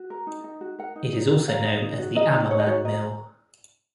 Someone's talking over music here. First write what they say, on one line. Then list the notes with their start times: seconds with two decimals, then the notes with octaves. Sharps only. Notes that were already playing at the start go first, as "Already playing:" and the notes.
It is also known as the Ammerman Mill.
Already playing: F#4
0.10 A#4
0.27 D#4
0.44 D#4
0.61 F#4
0.79 A#4 F#5
0.96 D#4
1.13 D#4
1.30 F#4
1.47 A#4 F5
1.64 D#4
1.82 D#4
1.99 F#4
2.15 A#4 D#5
2.33 D#4
2.50 D#4 C#5
2.59 D#5
2.67 F#4 C#5
2.85 A#4 D#5